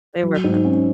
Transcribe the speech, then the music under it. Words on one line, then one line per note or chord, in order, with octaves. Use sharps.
They were fun.
F#3
G#2
C#4